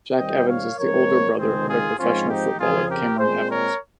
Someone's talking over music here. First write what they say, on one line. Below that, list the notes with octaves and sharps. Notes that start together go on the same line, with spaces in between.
Jack Evans is the older brother of professional footballer Cameron Evans.
D#2 D#3 G3 C4 D#5 G5
C#5 F5
G#2 F3 G#3 C4 A#4 C#5
C#2 C3 D#3 G#3 C4 G#4 C5
F4 G#4
G#2 F3 G#3 C4 C#4 F4
D#4 G4
F2 C#3 F3 C4 F4 G#4
G4 A#4
A#2 G#3 C4 G#4 C5
A#4 C#5